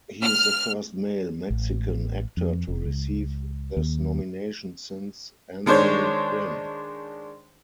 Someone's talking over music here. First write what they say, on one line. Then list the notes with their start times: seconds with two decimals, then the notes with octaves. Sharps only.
He is the first male Mexican actor to receive this nomination since Anthony Quinn.
0.22 F6
1.50 A1
2.37 F2
2.68 F1
2.86 C#2
3.77 D#2
5.66 D#3 G#3 D4 C5 C#5